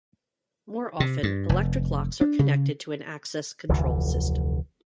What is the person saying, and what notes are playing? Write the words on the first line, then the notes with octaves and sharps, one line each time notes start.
More often electric locks are connected to an access control system.
C3
G2
F1
D4
C#3
F1 D2 D3 E3